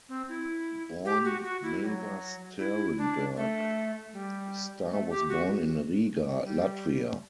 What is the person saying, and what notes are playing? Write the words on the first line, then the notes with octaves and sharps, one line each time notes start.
Born Nava Sterenberg, Starr was born in Riga, Latvia.
C4
E4
G4
F#4
F#4
E4
G3
F#3
E4
D4
A3
G3
A3
G4
F#4
G3